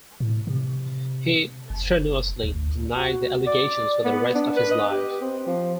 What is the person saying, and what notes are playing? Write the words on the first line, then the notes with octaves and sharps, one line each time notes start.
He strenuously denied the allegations for the rest of his life.
A2
C3
F#1
D2
F#4
D5
B3
D4
B4
D#5
G4
C4
F3